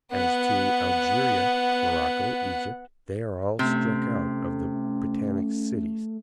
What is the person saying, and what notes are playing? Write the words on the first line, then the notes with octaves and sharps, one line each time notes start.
"As to Algeria, Morocco, Egypt--they are all struck out of the Britannic cities."
B3 F#5
C3 A3 C#4